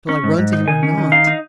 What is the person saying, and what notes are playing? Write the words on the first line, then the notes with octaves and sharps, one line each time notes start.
Shall I run to him or not?
C#4
G#2
G#2
D#4
D#3 G#5
C#4
D#3
D#4 F5
D#4